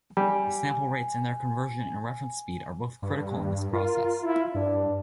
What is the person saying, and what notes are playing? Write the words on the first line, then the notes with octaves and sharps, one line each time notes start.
Sample rates and their conversion and reference speed are both critical in this process.
G3 G#5
G2
F4 A#4
E4
G2 D4